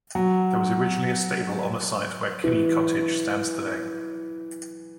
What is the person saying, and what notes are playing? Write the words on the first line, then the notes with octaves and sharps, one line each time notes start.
There was originally a stable on the site where Kinney Cottage stands today.
F#3
E3